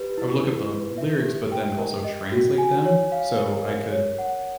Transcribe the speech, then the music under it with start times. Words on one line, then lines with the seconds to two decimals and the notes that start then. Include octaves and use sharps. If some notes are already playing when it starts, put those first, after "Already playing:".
I would look up the lyrics, but then also translate them, so I could
Already playing: G4 B4
0.17 E4
0.44 E4
0.71 B4
0.98 E5
1.24 G4
1.52 G5
1.78 A#4
2.04 D#5
2.32 F#4
2.58 G#5
2.85 C#5
3.12 F5
3.38 A#4
3.66 A#4
3.92 C#5
4.19 F#5